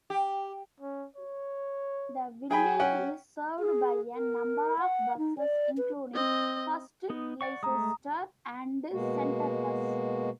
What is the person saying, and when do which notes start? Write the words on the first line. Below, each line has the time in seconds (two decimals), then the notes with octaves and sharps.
The village is served by a number of buses including First Leicester and Centrebus.
0.10 G4
0.80 C#4
1.16 C#5
2.51 F#3 G#4 G5 G#5 B5
2.79 C#4 F#5 G5
3.60 G#4
4.15 A#4
4.79 F#5
5.17 D#4
5.38 D5
5.78 B4
6.14 C4 D#5
7.10 B3 D#4
7.41 D5 F#5 C#6
7.63 G#3 A3 A#5 D#6
8.93 B2 G#3 A#3 F#4